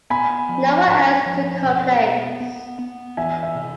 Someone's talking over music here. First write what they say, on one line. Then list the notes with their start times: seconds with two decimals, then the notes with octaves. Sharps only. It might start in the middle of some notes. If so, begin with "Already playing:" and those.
No one else took her place.
0.10 B3 G#5 B5
0.49 F3
0.88 G#2
1.26 F3
1.64 B2
2.02 B3
2.40 B3
2.79 B3
3.17 E3 E5 G#5
3.43 E5
3.56 C3